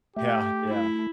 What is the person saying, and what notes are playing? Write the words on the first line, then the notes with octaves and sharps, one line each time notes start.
Yeah, yeah.
A3 G4
E4